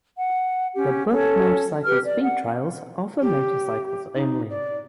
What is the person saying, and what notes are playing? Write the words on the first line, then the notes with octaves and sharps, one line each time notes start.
The "Bub Motorcycle Speed Trials" are for motorcycles only.
F#5
C#4 G4
C#4 A4 C#5
G4 B4 F6
D5
F#5
G4
D#4
D5